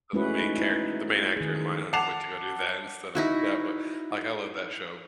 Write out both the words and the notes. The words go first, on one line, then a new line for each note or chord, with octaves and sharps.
So the main character the main actor in Mindhunter went to go do that instead of that, but like, I love that show
G#3 A3 C#4 E4 F#4 B4
D#4
E4 B4
D#3 G#4
F#5 A5 D6 C7 E7 F7
D#4 E4 F#4